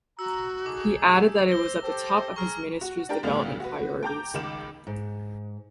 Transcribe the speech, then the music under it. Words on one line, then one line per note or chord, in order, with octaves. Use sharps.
He added that it was at the top of his ministry’s development priorities.
F#4 A#5 E6
D#4 G#4 A4 D6
G4
C5 A#6 G7
G4 A4 C5 A5
G#4 A#5 C#6 F6
F#4
D4 G4 A#4 G5
D2 A2 G3 B3 F5 F7
F#4 B4
G5 A5 A#5 D6 G6
C#2 D#3 D6 E7
G#2